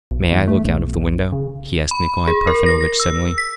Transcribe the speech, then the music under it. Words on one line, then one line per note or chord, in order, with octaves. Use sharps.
"May I look out of the window?" he asked Nikolay Parfenovitch, suddenly.
B1
E2
A3
B1
C#3
B5
G#4
A#4
A#6
A#6
E6
B6